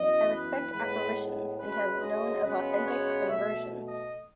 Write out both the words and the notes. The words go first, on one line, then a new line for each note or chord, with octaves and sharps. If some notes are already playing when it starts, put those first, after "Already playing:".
I respect apparitions and have known of authentic conversions.
Already playing: F#2 E3 B3 D#5
B4
A2 G#3 B3 B4
F#2 C#3 G#3 B4
D#5
F#2 C#3 G#3 B3 B4
C#5
B2 A3 E5
D#5